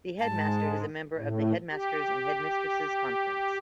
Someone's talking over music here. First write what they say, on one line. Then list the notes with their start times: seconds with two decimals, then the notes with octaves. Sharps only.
The Head Master is a member of the Headmasters' and Headmistresses' Conference.
0.19 G#2 G#3 A5
1.17 A2
1.71 G4